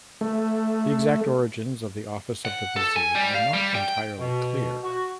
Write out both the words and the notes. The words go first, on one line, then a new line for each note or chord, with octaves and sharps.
The exact origins of the office of vizier are not entirely clear.
A3
F#5
A4
G#5
G3
F5
G3
G5
B2
F#4